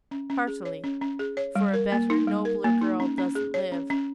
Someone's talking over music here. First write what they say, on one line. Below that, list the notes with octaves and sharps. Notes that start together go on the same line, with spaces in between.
'Heartily; for a better, nobler girl doesn't live.
C#4
C#4
G#4
C#5
C#4
C#4
G#4
C#5
G3
A#4
A#3
D#4
G3
A#4
A#3
D#4
C#4
C#4
G#4
C#5
C#4
C#4